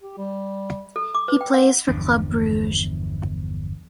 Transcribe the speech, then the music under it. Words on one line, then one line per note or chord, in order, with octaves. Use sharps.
He plays for Club Brugge.
G4
G3
A4
D6
B4
G5
F#5
G1 E2 F3 D4